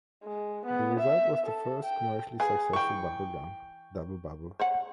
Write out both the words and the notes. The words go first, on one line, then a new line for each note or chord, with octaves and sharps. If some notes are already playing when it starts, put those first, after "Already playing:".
The result was the first commercially successful bubble gum, Dubble Bubble.
G#3
B3
E5
A4
G5
G#4 B4 F5 G#5
E3 G5 C#6
C5 C#5 F#5